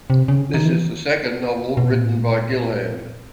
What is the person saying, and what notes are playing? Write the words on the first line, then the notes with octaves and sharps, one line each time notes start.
This is the second novel written by Gilham.
C3
C#3
D#3
E3
B2
A#2
A2
A#2